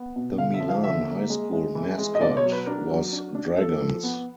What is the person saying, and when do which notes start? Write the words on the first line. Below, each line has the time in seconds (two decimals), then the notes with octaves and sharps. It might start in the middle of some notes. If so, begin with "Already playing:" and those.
The Milan High School mascot was Dragons.
Already playing: B3
0.16 B2
0.38 D3 F5
0.54 E5
0.60 F3
0.69 F5
0.83 D3 E5
1.07 A#3
1.30 G#3
1.53 G#3
1.75 E3
1.98 G#3
2.15 D#5
2.21 B2 D5
2.37 C#5
2.44 F#3
2.52 B4
2.66 D4 A#4
2.90 F#3
3.13 D4
3.35 D4
3.58 F3 A4
3.81 F3
4.03 B3